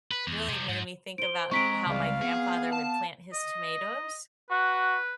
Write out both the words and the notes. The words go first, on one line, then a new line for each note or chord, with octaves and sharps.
really made me think about how my grandfather would plant his tomatoes,
B4
E2
C3 F3
G#2
C5 D7 G7
G#3 C4 A#5 C#6 B6 D7
C#2 G3 G#3 F5
B3 G#4
A5
D#5
F#4 B4